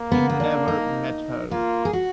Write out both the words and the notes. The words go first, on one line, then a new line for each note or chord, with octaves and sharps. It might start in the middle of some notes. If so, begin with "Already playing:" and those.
He never met her.
Already playing: A#3
B3
B3
D4
D#4
A#3 F4
G#4
F#4